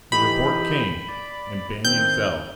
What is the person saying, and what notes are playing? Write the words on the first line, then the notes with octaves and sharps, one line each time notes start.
The report came; and Banion fell.
E3 D#4 G4 B5
D5
D#3 C4 G6